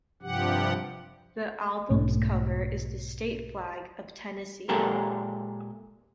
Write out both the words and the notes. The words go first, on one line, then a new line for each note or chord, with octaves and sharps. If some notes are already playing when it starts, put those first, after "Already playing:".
The album's cover is the state flag of Tennessee.
G2 C3 F3 G4 F#5
B1 G#2 A3
A#2 G#3 G4 A4 A#4